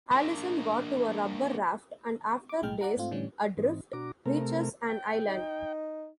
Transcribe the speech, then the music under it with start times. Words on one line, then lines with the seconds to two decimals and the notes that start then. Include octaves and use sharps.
Allison got to a rubber raft and after days adrift, reaches an island.
0.11 A#3 D4
2.49 D6
2.62 B1 A2 G#3 G5 F6
2.81 D5 F#5 A#5
2.97 G#2 A3 C4 F4
3.11 A2 D3 E3 G3 C#4
3.57 G#2 E3 C4 D#4
3.93 B2 D4 F#4 A#5 D6
4.26 C3 A3 A#4
4.89 G5
5.27 D#4